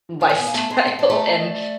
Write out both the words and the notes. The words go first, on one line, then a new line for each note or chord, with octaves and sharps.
lifestyle and
F4 G#5
E4
B3
A#3
A3 A5
G#3 C6
G#3
G#3 A5
A3 A#5
A#5
D#5
D5